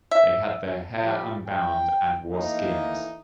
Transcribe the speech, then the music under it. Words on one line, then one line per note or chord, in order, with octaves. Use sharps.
They had their hair unbound, and wore skins.
E5
F3 G3
G5
E3 A3 A#3 D#4